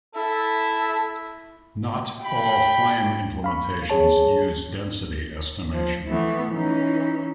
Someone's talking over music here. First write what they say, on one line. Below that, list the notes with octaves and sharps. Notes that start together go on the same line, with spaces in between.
Not all Flame implementations use density estimation.
E4 A4 E5
G5 B5
F5 B5 C#6
G#4 C#5 A5
F3
E3 A3 B3
E3 C#4 D#4